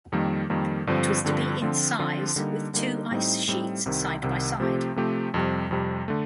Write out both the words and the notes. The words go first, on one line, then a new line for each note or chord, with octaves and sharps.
It was to be in size, with two ice sheets side by side.
F2 D#3 G3 A#3
F2 D#3 G3 A#3
G2 D3 F3 C4
G2 D3 F3 C4
D3 F3 C4 F4
D3 F3 C4 F4
D3 G3 A#3 D#4
D3 G3 A#3 D#4
A2 G3 C4 D#4
A2 G3 C4 D#4
C2 C3 D#3
C2 C3 D#3
C3 F3 A3 C4 G4
C3 F3 A3 C4 G4
F2 C3 G3
F2 C3 G3
D3 A3